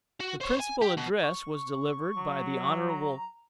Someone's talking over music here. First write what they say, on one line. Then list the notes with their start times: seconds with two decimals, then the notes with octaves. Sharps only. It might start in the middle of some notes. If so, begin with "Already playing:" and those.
The principal address was delivered by the Hon.
0.20 F#4
0.41 C5 C#5
0.60 G#5
0.82 G4
0.97 B2
1.22 C#6
2.17 F#3
2.89 A#5